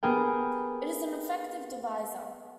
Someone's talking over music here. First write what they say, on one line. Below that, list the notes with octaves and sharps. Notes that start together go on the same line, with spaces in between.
It is an effective divisor.
B3 G4 G#4 A#4 G5